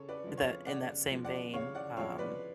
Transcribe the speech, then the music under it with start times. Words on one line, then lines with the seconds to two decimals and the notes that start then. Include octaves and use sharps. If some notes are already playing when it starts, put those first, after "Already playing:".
the in that same vein, um,
Already playing: C#3 A4 C#5
0.09 B4 D5
0.23 F3 G#3
0.37 C#5 F5
0.66 C#3 D5 F#5
1.10 F3 G#3
1.24 D5 F#5
1.53 C#3 C#5 F5
1.75 D5 F#5
1.97 F3 G#3 C#5 F5
2.18 B4 D5